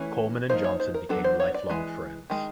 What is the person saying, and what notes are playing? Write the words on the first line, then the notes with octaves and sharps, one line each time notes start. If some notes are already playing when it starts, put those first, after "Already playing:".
Coleman and Johnson became lifelong friends.
Already playing: E3 A3 C#4
F3 A#3 D#4 C5
C#5
C5
A#4
F#3 B3 D4 A4
C5
C#5
D5
E3 G#3
D#3 G#3